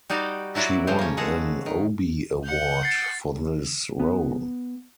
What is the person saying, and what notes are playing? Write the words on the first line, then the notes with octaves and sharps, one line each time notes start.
She won an Obie Award for this role.
G3 D#4 F#4 D5 D#5 F5
F#3 E4 F#4 D5 A#5
C#3 F3 A3 C5
A#3 C#4
G#3 G#4 A4 F#5 A#5
D#3
F#5 G6
A6 C7
B3